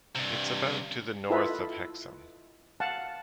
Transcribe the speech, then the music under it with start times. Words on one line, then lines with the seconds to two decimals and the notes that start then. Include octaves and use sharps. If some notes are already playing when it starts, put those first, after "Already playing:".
It is about to the north of Hexham.
0.15 G2 C3
1.30 E4 F4 A4 B4 D#5 E5
2.80 F5 F#5 A5